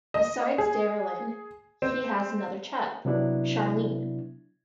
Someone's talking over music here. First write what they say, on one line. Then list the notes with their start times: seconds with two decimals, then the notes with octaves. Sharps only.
Besides Darylynn, he has another child, Charlene.
0.14 D#5
0.58 G#4
1.82 C4
3.05 C3 F#3 B3 D4 E4